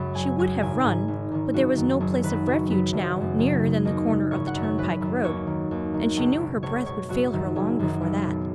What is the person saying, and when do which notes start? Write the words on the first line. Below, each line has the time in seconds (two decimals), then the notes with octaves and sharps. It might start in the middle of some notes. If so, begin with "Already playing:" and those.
She would have run, but there was no place of refuge now nearer than the corner of the turnpike-road, and she knew her breath would fail her long before that.
Already playing: C#2 F#2 C#3 B5
0.15 F#1 G#5
0.39 F#2 C#3 G#5
0.62 G#1 G#5
0.84 G#2 D#3 G#5
1.08 G#1
1.32 G#2 D#3
1.54 F#1 F#4
1.77 F#2 D#3
2.00 F#1 G#4
2.23 F#2 D#3 B4
2.47 F#1 F#4
2.69 F#2 C#3 B4
2.93 F#1
3.16 F#2 C#3
3.39 D#2
3.63 C#3
3.85 D#2 D#5
4.08 C#3
4.31 G#1 C#5
4.47 F#5
4.55 F#2 D#3
4.63 C#5
4.78 G#1 B4
5.01 F#2 D#3
5.24 D#2 C#5
5.47 D#3
5.71 D#2
5.94 D#3
6.17 C#2
6.40 B2
6.63 C#2 C#5
6.86 B2 C#5
7.09 F#1 F#4
7.32 F#2 D#3
7.56 F#1 G#4
7.79 F#2 D#3
8.01 B1
8.25 B2